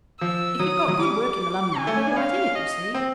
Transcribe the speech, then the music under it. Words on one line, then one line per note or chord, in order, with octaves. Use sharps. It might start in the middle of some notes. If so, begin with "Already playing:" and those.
If you've got good working alumni, you're right in it, you see.
F3 E6
F#3 D#6
F#3
G3 D6
G#5
A3
C#4
D4
C#4 F5
D#5
C4